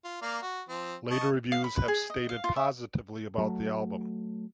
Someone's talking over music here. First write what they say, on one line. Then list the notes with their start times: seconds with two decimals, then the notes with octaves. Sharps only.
Later reviews have stated positively about the album.
0.04 F4
0.22 A#3 D5 F5
0.42 F#4
0.69 F3 C4
1.11 D#5 A5 C#6
1.52 F5
1.64 B5
1.76 B4
1.88 G#4
2.10 D#5
2.29 F5
2.44 F4
2.56 E5
3.38 F#3 A3